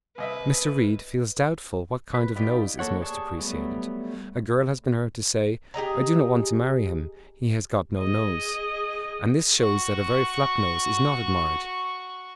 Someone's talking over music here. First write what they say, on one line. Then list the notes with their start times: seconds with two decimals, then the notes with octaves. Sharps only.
Mr. Reade feels doubtful what kind of nose is most appreciated; a girl has been heard to say, "I do not want to marry him, he has got no nose"; and this shews that a very flat nose is not admired.
0.18 C2 B4 D#5 E5
2.14 B4
2.36 D#4 F4 G4 B4 D5
2.79 A#3 A4 C#5 F#5
3.01 G4 G#4 D5 A5 C#6
3.39 F#3 G3 A3 B3
5.74 G4 G#4 D#5 A#5
7.98 G#4 D#5
9.60 F#4 C#6